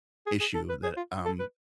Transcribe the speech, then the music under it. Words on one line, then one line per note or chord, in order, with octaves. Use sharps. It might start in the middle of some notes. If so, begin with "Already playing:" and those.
issue that, um
G#4
G#4
A4
B4
G#4
F4
A4
B4